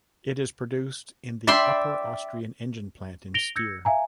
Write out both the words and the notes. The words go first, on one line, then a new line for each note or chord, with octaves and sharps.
It is produced in the upper Austrian engine plant in Steyr.
D5 E5 G5 B5 C6
A#6 D7 F7 G7
E6 G6 G#6 A#6 C#7
E5 F5 G#5 A#5